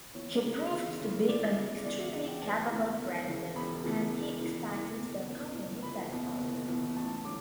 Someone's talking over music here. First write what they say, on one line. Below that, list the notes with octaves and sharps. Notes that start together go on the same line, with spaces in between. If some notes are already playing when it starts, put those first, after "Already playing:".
He proved to be an extremely capable president, and he expanded the company tenfold.
E2 C#5
C#3 E3
E2
C#3 E3
E2 D5
C#3 E3
E2 D5
E5
C#3 E3 F#5
G5
E1 A5
E2 C#3 E3
E1
E2 C#3 E3
E1 B5
E2 C#3 E3
E1
E2 C#3 E3
F#1 D6
E2 B2
F#1
E2 B2
F#1 B5
E2 B2
F#1
E2 B2
A1 A5
D3 F#3 D6